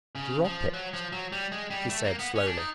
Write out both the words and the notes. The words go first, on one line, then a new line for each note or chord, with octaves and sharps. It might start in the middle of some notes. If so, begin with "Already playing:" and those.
"Drop it?" he said slowly ...
C#3
F3
F#3
F3
F#3
G3
G#3
G3
A3
A#3
B3
C#4
D4
D#4